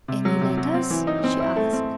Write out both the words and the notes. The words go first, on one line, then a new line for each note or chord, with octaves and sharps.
"Any letters?" she asked.
C3
F#3
C3
F#3
C4
E3
D#4
C4
E4
A3
C4